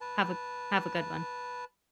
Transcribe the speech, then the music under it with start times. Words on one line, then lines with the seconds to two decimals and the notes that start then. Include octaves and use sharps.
Have a have a good one.
0.01 B4 A5